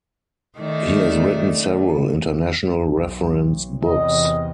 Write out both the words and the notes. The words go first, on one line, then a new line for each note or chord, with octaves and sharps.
He has written several international reference books.
D#3 A3 D5
B1
E2 C3 D#5